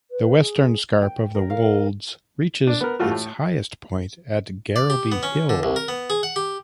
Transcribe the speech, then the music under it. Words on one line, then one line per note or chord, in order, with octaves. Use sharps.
The western scarp of the Wolds reaches is highest point at Garrowby Hill.
B4
G#4
G5
A#4
F5
D4
B3 A#4
E3 G3 A3 F4 F#4
A2
D5
G4
B3
C#4
D3
C2
A#4
B3
G#4
F#5
G4